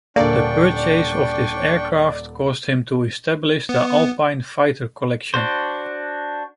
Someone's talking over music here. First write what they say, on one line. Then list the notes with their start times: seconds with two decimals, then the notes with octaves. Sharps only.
The purchase of this aircraft caused him to establish the Alpine Fighter Collection.
0.16 D#1 D3 A#3 D4 A4 D5 G5 C#6
3.69 B3
5.34 D4 F#4 C5